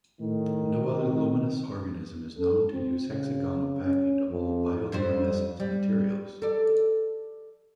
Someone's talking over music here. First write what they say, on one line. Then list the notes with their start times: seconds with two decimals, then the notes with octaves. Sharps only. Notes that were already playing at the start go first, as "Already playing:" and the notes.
No other luminous organism is known to use hexagonal packing to hold bioluminescent materials.
0.20 A2 D#3
0.94 C4
2.37 A4
2.73 C4
3.08 C#3
3.82 C#4
4.29 F2
4.92 F2 G3 C5
5.60 G3
6.42 A4 D5